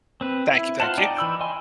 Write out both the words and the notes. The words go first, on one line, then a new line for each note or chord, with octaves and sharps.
Thank you, thank you.
C4 B4
E4
F4 C5 F#5 A5
D#4 D5 G5
E3 B5 E6 G6
D#5 G5 G#5 C6